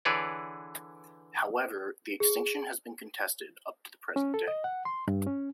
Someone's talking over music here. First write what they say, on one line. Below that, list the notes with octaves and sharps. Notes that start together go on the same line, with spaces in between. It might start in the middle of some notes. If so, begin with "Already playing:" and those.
However, the extinction has been contested up to the present day.
D3 E3 G#4 B4 C#5 D5
G#4
C#4
A4
D#5
F#5
C6
G2
C#4